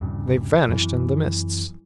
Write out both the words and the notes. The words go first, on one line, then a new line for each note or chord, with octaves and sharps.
They vanished in the mists.
D#1 C2 G2 C#3
F#2 E3